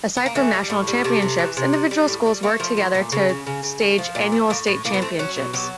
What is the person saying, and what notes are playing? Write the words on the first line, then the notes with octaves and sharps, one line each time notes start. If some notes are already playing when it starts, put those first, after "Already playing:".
Aside from national championships, individual schools worked together to stage annual state championships.
B3
A#3
E3 A3
G3
A2
G3
C3 A3
C3
E3
C3
G3
G3
A2
G3
A3 A#3
F3 A#3
A3 E4
A#2 B3
C#3
C#3
C#3
C#3
A3
F3
A#2
F3
A2 A#3
A2
A2 A#3
B3
A3 C4
F#3 C#4
B2
F#3 G4